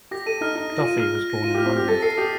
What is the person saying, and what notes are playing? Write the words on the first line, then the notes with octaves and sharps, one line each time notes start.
Duffy was born in London.
G4 A#6
A4 D#7
D#4 F6
D#4 F6
A#6
F4
D#7
F6
F6
A#6
F4 D#7
G4
F6
C4
G4 F6
A4 A6
A4 C7
G4 D#6